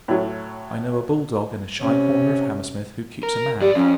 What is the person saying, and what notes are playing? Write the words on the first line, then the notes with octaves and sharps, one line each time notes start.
I know a bull-dog in a shy corner of Hammersmith who keeps a man.
A2 F#3
C3 C#4
A#4
F2 G4 D5
F2 C#4